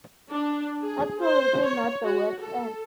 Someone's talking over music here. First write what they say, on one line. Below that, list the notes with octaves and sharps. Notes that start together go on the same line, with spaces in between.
Absolutely not the West End.
D4
G#4
C5
C#5
F#4
A4